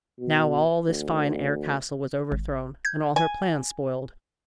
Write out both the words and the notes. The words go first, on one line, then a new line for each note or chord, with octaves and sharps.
Now all this fine air-castle was overthrown and all her plans spoiled.
B2
D2
G#1
G6 G#6
G#5